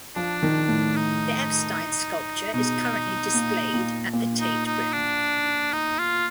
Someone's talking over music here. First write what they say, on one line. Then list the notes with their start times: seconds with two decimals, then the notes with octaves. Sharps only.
The Epstein sculpture is currently displayed at the Tate Britain.
0.16 F3 D4
0.43 D#3
0.68 A2
0.96 D#4
2.54 B2 D#4
3.34 A#2
3.74 A#2
4.13 A#2
4.40 D#4
4.66 D#4
4.93 D4
5.73 D#4
5.99 F4